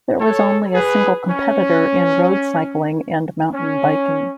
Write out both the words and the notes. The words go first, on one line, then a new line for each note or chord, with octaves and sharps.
There was only a single competitor in road cycling and mountain biking.
A4 C#5
G#4 B4
C#4
C#4